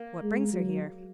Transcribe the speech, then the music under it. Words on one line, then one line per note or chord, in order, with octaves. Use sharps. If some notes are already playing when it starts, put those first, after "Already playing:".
"What brings her here?"
Already playing: A#3
G#3
F#3